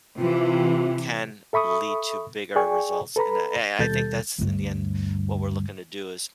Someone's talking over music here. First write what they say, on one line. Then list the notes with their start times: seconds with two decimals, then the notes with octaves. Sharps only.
can lead to bigger results, and I I I think that's, in the end, what we're looking to do is,
0.18 C3 E3 F4
1.53 A4 E5 B5 C#6 D#6
2.56 G#4 D5 G5 G#5 C#6
3.16 A4 B4 A#5 B5
3.79 D#2 B2 G3 A4 G6 A6
4.38 D2 G2